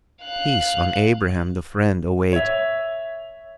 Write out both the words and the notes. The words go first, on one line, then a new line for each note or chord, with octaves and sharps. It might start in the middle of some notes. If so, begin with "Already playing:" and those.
Peace on Abraham the Friend await!
F5 F#6
C#5 E5